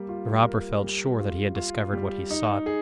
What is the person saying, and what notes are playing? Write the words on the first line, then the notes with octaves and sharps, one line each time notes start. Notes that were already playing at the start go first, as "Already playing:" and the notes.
The robber felt sure that he had discovered what he sought.
Already playing: G3 A#3
F4
A#4
G3
F4
F4
G3
D#4
G#4